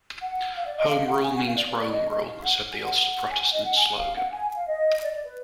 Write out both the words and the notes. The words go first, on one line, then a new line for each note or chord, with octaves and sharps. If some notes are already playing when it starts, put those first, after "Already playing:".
"Home Rule means Rome Rule" said the Ulster Protestant slogan.
F#5
F5
D5
D#5
F5
F#5
G#5
F#5
F5
D5
B4
D5
D#5
D#5
F5
F#5
G#5
F#5
G#5
F#5
D#5
F#5
G#5
F#5
F5
F#5
G#5
F5
D#5
D5
D5
B4